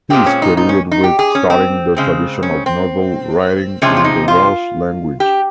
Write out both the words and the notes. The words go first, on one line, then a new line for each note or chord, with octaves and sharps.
He is credited with starting the tradition of novel-writing in the Welsh language.
A#2 G#3 C4 G4
C#4
D#4
D#4
C#4
D#4
G4
G#4
C#4
C4
C#3 G#3 C4
C#4
C4
C3 F3 G#3 C4 C#4
F4
D#4
F4
G4